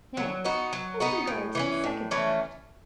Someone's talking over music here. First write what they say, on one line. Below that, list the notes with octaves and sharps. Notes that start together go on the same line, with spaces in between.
"Now as regards the second question."
F#3
B3 D#4 F#4
F#3
B3 D#4 F#4
A2
E3 A3 C#4
A2
E3 A3 C#4